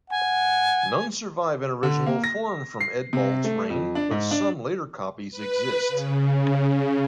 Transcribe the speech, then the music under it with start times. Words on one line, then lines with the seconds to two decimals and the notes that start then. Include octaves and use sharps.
None survive in original form from Eadbald's reign, but some later copies exist.
0.11 F#5 G#5
1.83 D3
2.06 A#3
2.24 A#6
2.80 C7
3.13 C3
3.44 A3
3.70 F2
3.95 D4
4.11 G#2
4.31 D4
5.31 B4
5.88 C#3